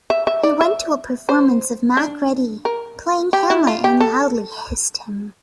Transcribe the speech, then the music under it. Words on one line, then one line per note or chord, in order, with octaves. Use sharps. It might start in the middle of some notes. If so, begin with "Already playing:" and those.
He went to a performance of Macready playing Hamlet and loudly hissed him.
E5
E5
D5
E5
C5
D4
A#4
G4
E4
F4
G4
A4